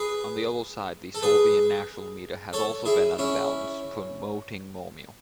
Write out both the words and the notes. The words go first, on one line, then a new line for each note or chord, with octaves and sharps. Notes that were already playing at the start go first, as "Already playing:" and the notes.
On the other side, the Serbian national media had also been unbalanced, promoting Momir.
Already playing: G#4 B4
A4
G#4 B4
A4 C#5
E4 G#4
C#4 E4